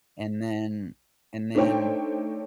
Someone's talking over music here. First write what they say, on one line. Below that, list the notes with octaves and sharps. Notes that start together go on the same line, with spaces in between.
and then and then
A3 D4 D#4 C5 C#5 G5